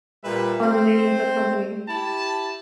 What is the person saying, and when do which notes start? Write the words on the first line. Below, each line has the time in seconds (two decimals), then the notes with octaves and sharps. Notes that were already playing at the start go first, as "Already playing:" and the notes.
on the name of the company.
0.23 A#2 G3 B4 E5
0.61 C4 C5
1.88 E4 G4 A5